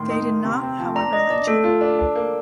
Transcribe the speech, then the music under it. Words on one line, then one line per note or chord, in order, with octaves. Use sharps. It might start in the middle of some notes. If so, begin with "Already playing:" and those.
They did not, however lynch him.
Already playing: A2 D#3 C6
D#4
A#3
C3
C4
F3
D4 A#5
D4 D#5
D4 D5
A3 A4
F4
D4
D4
A#3